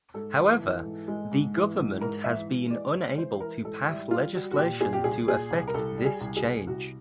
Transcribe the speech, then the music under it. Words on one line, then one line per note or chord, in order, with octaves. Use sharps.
However, the government has been unable to pass legislation to effect this change.
G#2 A4
E3
E3
G#2
G#3
G#2
E3
G#2
G#2 A#4
E3 E5
G#2
G#3 D5
G#3 C#5
E3 C5
E3 A#4
G#2 A4
G3 E4
G3 F4
G3 F#4
F#4
A#2 G4
A#2 G#4
G4
C2 G#4
A#2 G#4
C2
A#4
C2 A4
G3
G#4
C2
G#4
C2
C2 F#4